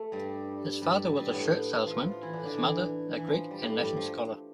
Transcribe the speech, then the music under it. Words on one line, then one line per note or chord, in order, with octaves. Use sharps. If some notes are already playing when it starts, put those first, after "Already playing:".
His father was a shirt salesman, his mother a Greek and Latin scholar.
Already playing: A3
G2 G3
G2 G3
G2 G3
B3
A2 A3
F3 F4
F4
E3 E4
D3 D4
D3 D4
E3
E3
F3
G3
A2 A3
G2 G3
F3